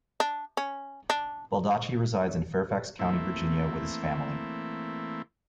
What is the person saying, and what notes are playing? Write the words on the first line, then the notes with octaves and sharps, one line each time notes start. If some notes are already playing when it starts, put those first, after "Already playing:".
Baldacci resides in Fairfax County, Virginia, with his family.
D4
C#4
D4
E3 A3 A#3 C4 E4